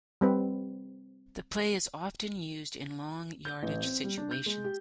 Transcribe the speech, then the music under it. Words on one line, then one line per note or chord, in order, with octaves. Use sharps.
The play is often used in long yardage situations.
G3 C4 B4
G6
A1
C4
G3
D4
G6
G#3
G4